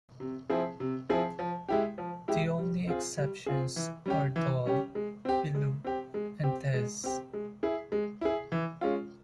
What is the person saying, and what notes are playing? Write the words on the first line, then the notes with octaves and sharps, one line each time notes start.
The only exceptions are "Dhol", "Billu" and "Tezz".
C3
F3 C4 E4 G#4
C3
F3 C4 E4 G#4
F3
G#3 E4 G4
F3
G#3 E4 G4
G3
C4 F4 G#4
G3
C4 F4 G#4
E3
G3 C#4 G4
E3
G3 C#4 G4
G#3
C4 G4
G#3
C4 G4
G#3
C4 G4
G#3
C4 G4
G#3
E4 G#4
G#3
E4 G#4
E3
G#3 C#4 F4